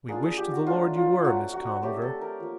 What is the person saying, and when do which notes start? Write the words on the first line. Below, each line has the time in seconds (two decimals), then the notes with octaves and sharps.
But we wish to the Lord you were, Miss Conover.
0.09 A#3 D4 F4 G#4
0.23 G#4
0.37 G4
0.52 F#4
0.66 F#3 A3 D4 F4
0.96 F4
1.25 F#3 A3 C4 F#4
1.54 F#4
1.82 F#3 A3 C4 G4
2.02 A4
2.21 A#4
2.40 F3 A#3